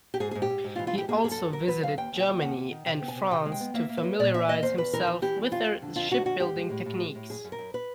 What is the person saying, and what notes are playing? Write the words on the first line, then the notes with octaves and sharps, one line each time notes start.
He also visited Germany and France to familiarize himself with their shipbuilding techniques.
G4
G#2 G#4
G#2 G#4
G4
G#2
G#2
F4
E3
F4
G#2 G4
A#3 G#4
F#2 G#4
A4
F#3
F#3 A#4
F#3 B4
C#3 F5
D#2 G5
D#2
G5
D#2
D#2 F#5
D#2
D#3
C3 G5
B3
G#5
C3
C3 G5
G#3
G5
B3
A#3 E5
A#3
B4
F#3
A#2 D5
A#2 E5
A#3 D#5
E2 C5
E2 B4
E3 A#4
E3
E3 G4
E2
F2 F4
F2
D3
F2 F4
D3 F#4
F2 F#4
G#3 G4
G#3
A2
A2
G#3
A2
F#2 G#4
F#2
A#4
F#2
B4